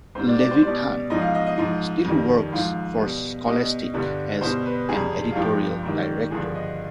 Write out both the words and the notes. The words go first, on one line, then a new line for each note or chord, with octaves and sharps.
Levithan still works for Scholastic as an editorial director.
G#2 G3 C5
D5
D5
C5
B2 G3 D5
G#2 F3 D#5
F5
D#5
D#5
G#2 F3
F2 D#3 G3
G#2 F3 F5
B2 G3
B2 G3 D#5
G2 D3 G3
B2 G3 C5
B4
F2 C3 G3 G#4
F4
G2 F3 G4
G#2 D#3 G3
G2 D3 F3 G#4
D#5